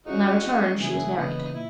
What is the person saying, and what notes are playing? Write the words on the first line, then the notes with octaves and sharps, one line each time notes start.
When I returned she was married.
F#3 C#4 D#4 E4 F#4 G#4
F#3 C#4 E4 G#4
C#3 E3 A#3 E4 G#4
C#3 E3 A#3 B3 D#4
D#4
A#2 E4